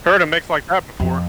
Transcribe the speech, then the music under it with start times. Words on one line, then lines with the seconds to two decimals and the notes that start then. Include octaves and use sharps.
heard a mix like that before.
1.00 F2